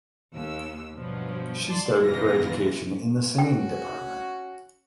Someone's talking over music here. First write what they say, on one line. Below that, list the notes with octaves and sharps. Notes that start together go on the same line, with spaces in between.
She started her education in the singing department.
D#2 E6
G2 B2 F3 F#3
D5 A5 C6
F#2 B2 D#3 E3 F4 A#6
C#4 F#4 G5